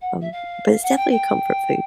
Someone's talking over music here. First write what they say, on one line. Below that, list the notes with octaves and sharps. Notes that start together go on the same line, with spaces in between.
Um, but it's definitely a comfort food.
F#5
E5
F5
F#5
G5
G5